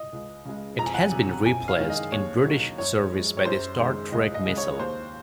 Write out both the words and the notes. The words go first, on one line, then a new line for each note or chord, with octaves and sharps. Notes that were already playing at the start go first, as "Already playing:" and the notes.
It has been replaced in British service by the Starstreak missile.
Already playing: D#5
C#2
C#3 G#3
F2 A#5
G#5
F#5
G#5
C3 F#3
F#2 G#5
F5
D#3 G#3
D#5
D#2 C#5
D#3 F#3
F#2 C#5
F3 G#3
C#5
F#2 C5
D#3 G#3
C#2 D#5
D#5
C#3 G#3
C#5
D#2 C5